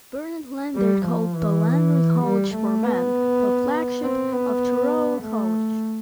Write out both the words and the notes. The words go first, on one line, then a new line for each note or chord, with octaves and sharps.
Bernard Lander called the Lander College for Men the "flagship" of Touro College.
G3
F3
E3
G3
A3
B3
C4
B3
A3